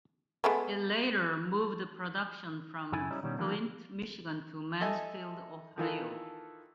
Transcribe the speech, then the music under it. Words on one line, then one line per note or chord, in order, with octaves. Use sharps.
It later moved production from Flint, Michigan to Mansfield, Ohio.
G#3 A3 B3
F#2 C#3 E4 A4 G#5 B5
G3 C#4 D#4 E4
B2 D#3 G3 C#4
D3 D#3 F3 G3 A#3 D4
A4 D#5 E5 G#5 A5
D#3 E3 F4 A4